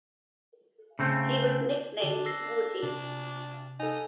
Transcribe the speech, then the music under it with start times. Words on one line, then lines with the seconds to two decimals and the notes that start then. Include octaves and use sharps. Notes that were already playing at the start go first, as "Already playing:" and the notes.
He was nicknamed "Woody".
0.99 C#3 A3 C4
2.00 D3 D4 F#4 A4
2.26 E6 A#6 C7
2.83 C3 D4
3.80 D#4 A4 G#5